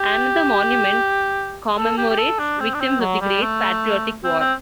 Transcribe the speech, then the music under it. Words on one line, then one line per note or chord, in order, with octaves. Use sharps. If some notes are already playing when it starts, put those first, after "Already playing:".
Another monument commemorates victims of the Great Patriotic War.
Already playing: G4
A4
G4
G4
A4
D4
C4
D4
C4
F#3
G3
A3
C4
C4